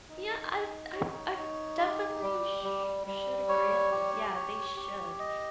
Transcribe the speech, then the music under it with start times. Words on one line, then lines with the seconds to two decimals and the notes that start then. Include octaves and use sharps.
Yeah, I I I definitely sh should agree on this, yeah, they should.
0.09 D#4
0.52 D#4
0.94 C#5
1.38 D#4
1.80 G4
2.22 G3
2.64 G3
3.07 G3
3.49 C#5
3.92 G4
4.35 C#5
4.76 G4
5.19 D#5